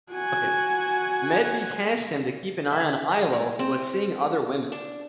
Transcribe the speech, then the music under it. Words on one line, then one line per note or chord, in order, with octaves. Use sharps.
Medb tasked him to keep an eye on Ailill, who was seeing other women.
F#4 G#5
E5
A2
C4
D4